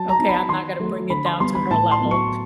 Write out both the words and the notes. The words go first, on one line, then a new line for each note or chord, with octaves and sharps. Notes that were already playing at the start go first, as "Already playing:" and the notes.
"Okay, I'm not gonna bring it down to her level."
Already playing: F#3 A5
A#5
B3 D#4
B5
D#3 C6
F#3 A3
D3 B5
C6
G3 B3 C6
B5
A2 A5
C6
F#3 B3
C#6